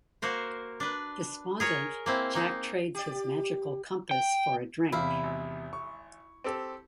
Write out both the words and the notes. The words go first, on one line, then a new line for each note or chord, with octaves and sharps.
Despondent, Jack trades his magical compass for a drink.
A#3 F#4 A#4 C5
D4 B4
G#4 A#4 C#5
A#3 C4 E4
A#3 D#4
G4 D5
G5
E2 C3 E4 F5 B5
G#1
C#6
C4 G4 A4